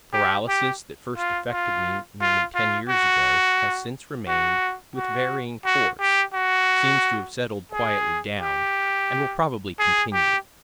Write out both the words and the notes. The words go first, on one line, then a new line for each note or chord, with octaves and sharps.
The paralysis that first affected me nearly ten years ago, has since remain'd, with varying course--seems to have settled quietly down, and will probably continue.
G4
G4
F4
F4
F4
F4
F#4
F#4
F#4
F#4
G4
F#4
G#4
G4
G#4
G4